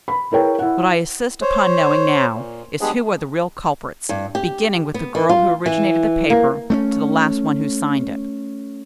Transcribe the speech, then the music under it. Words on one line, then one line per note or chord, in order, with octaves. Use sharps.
What I insist upon knowing now, is who are the real culprits, beginning with the girl who originated the paper to the last one who signed it.
B5
E4 G#4 A#4 B4 C#5 G5
E4 F#5
C5 C#5
A#2
G3 G#3 B3 D4 G4 G#4
G2
G4
B3
D#3
F4
E3
A#3
A3 B3 C#4